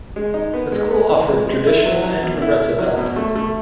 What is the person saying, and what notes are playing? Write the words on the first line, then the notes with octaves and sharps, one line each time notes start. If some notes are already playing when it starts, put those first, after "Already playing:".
The school offered traditional and progressive elements.
G#3
D#4
B3
G#3
B3
E3
G#3
G#3
E4
F#3
F#3
B2
E4
E4
F#3
B2
A3
A3